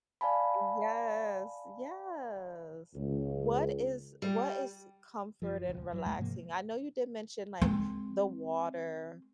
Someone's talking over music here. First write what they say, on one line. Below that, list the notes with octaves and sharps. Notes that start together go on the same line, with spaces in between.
Yes, yes. What is what is comfort and relaxing, I know you did mention, like, the water
D5 F5 G#5 A5 B5
C#2
G3
F#1 F3
D#1 C#2
F#1 F#3
A1 D#2 G#3 A3
G#2 C3 F3 A#3
G#3 C4